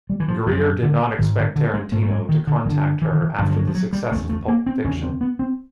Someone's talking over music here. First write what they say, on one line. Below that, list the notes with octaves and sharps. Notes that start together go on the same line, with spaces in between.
Grier did not expect Tarantino to contact her after the success of "Pulp Fiction".
G3
E3
F3
F#2 C#3 F3
D3
G#2 D#3
D3
D3
G#3
G#2 A3
A3
G#3
D#3
D3
G2 D3 D#3
E3
D#3
E3
G2 D3 F3
F3
F#3
F3
F#3
G3
E2 C#3 A3
A3
A#3
C4
E2 C#3 C#4
C4
B3
C4